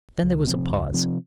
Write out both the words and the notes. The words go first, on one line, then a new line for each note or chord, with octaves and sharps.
Then there was a pause.
C#2
C3 F3 C4
C#2
C3 F3 C4